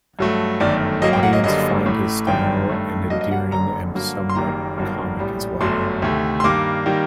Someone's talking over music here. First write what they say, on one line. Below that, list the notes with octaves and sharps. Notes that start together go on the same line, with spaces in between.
Audience find his style and endearing and somewhat comic as well.
G2 F#3 A3
G1 F#2 D#3 A3 D5
F#2 F#3 A#3 D#5
G5
F#5
D#5
F#1 F#2 D3 G3 A#3 D#5
A1 A2 A3
G1 F#2 D#3 G5
G2 D#3 A3
G2 F#3 A#3 D#5
D#5
F#5
F#1 F#2 D3 A#5
G2 D3 F#3 A#3
C6
F#1 F#2 D#3 G3 A#3 A#5
G1 G2 D#3 F#3 A#3
A#1 A2 G3
G1 F#2 F#3 A3 C6
D2 C3 D#3 A3
C6
G2 D#3 G3 A#3 D6
D#3 G3 A#3